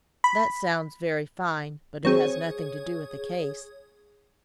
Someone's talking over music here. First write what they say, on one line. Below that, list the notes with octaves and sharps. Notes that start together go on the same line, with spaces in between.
'That sounds very fine, but it has nothing to do with the case.
B5
F#3 C4 G#4 C#5